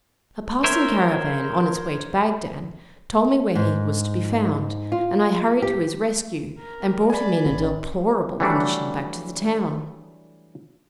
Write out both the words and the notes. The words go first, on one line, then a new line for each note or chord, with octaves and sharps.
A passing caravan, on its way to Bagdad, told me where he was to be found, and I hurried to his rescue, and brought him in a deplorable condition back to the town.
A#4 C5 C#5 E5
G#2
F4
G4
A#4
D5 G#5 B5
A1 C#4
E3 F#3 G3 A3 D4 F#4